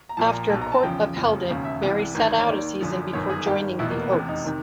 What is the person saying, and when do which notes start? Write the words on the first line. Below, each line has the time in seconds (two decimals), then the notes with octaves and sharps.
After a court upheld it, Barry sat out a season before joining the Oaks.
0.09 A#5
0.17 A#1 A#2 F3 A5
0.33 A#5
0.50 B1 A5
0.54 B2
0.62 A#5
0.72 A5
0.83 E2 C#3 F3 G5
1.16 F#1 F2 C#3 F3
1.49 E1 D#2 C#3 F5
1.65 E5
1.82 C2 C3 E3
2.15 A1 G2 D#3
2.38 C#5
2.47 D#2 D#3 D5
2.81 G#1 F#2 D3 F3
3.13 G1 F#2 D#3 C#5
3.30 G#4
3.46 G#1 G2 D#3 G4
3.79 F1 E2 B2 E4
3.90 A#3
4.01 B3
4.12 F1 E2 C3 C#4
4.29 D#4
4.45 C3 D#3